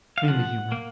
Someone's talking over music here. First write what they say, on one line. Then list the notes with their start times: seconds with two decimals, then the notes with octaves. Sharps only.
mainly humor.
0.18 F5
0.28 F3 F#5
0.72 A#3